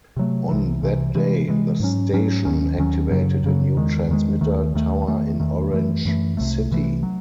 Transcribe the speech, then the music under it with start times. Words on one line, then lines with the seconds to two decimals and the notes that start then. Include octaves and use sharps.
On that day, the station activated a new transmitter tower in Orange City.
0.17 C3 F#3 A3
0.49 C2 C3 E3
0.82 C2 C3 E3
1.15 C3 E3 G#3
1.48 C3 E3 G#3
1.80 G#2 F#3 C#4
2.13 G#2 F#3 C#4
2.45 D#2 D#3 F#3 C#4
2.78 D#2 D#3 F#3 C#4
3.11 F#2 C#3 F#3
3.44 F#2 C#3 F#3
3.76 E2 D#3 G#3
4.08 E2 D#3 G#3
4.41 D#2 D#3 A3
4.75 D#2 D#3 A3
5.07 E2 D#3 A3
5.40 E2 D#3 A3
5.73 F#2 E3 A3
6.05 F#2 E3 A3
6.37 C2 C3 E3 A3
6.71 C2 C3 E3 A3
7.03 F#3